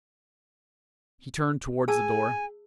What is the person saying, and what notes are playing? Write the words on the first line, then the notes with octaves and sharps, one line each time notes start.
He turned towards the door.
G#4 G#5 A5 E6